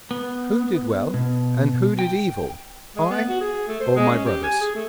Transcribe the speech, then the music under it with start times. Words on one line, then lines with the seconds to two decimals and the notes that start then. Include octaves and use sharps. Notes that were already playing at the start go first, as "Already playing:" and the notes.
Who did well, and who did evil--I or my brothers?'
0.11 B3
1.14 B2
1.99 G5
2.96 G#3
3.10 B3
3.29 F#4
3.41 G#4
3.68 A3
3.80 C5
3.96 G#3
4.10 C#4
4.25 G4
4.43 G#5
4.61 G#4
4.75 A3